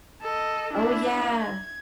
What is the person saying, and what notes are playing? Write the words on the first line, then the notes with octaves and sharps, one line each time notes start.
Oh, yeah.
A4 D#5
D4 E4
G#6